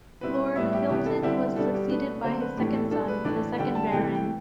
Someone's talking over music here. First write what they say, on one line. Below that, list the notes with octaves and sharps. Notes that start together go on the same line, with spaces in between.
Lord Hylton was succeeded by his second son, the second Baron.
B2 G3 C4 E4 B4
A2 G3 B3 E4 E5
G4
C3 E3 B3 G4
A4
D3 G3 C4 E4 G4
B2 G3 D4 A4
G4
B2 A3 D4 B4
D3 F#3 C4 C5
B4
A2 E3 A3 D4 G4
A4
B2 G3 D4 A4
B4
A2 E3 A3 D4 D5
D3 G3 D4 G5
A5
C3 E3 A3 G5
G5